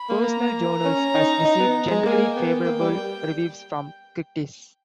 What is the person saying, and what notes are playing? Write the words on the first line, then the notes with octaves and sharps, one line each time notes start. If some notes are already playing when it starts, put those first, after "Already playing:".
"Personal Journals" has received generally favorable reviews from critics.
Already playing: B5
A#3
A#5
C#4
D#4
D#4
B3
G#3
A#3 G#5
B3 G5
A#3
G3